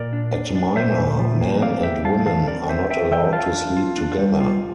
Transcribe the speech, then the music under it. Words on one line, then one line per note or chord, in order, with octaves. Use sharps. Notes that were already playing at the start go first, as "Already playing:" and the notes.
At Mina, men and women are not allowed to sleep together.
Already playing: A#2 A#4 D5
D4
D4
D4
A#2 C5 E5
A#2
F3
A#3
C4 D5 F5
E2 E5 G5
G3 F5 A5
E3 F5 A5
C4 A#4 D5
C4 C5 E5
C4 E5 G5
E3 E5 G5
F4 F5 A5
D4
F4
D4
G3
F4